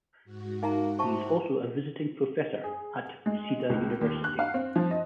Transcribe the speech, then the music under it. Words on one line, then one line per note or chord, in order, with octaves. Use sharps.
He is also a visiting professor at Waseda University.
G#2 F#4
A#3 D#4 E5 A#5
C3 E4 A5 C#6
G#4
G#3
C#2
D#2
F#6
F5
C4
F3
D#5